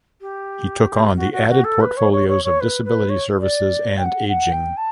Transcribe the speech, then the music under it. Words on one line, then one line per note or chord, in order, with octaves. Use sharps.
He took on the added portfolios of Disability Services and Ageing.
G4
F#4
F#4
F#4
A4
B4
C#5
C#5
C#5
C#5
B4
B4
C#5
D5
G5
F#5
F#5
G5
A5